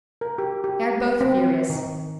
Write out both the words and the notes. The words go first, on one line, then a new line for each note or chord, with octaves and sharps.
They are both furious.
A#4
G4
G4
C4
D#3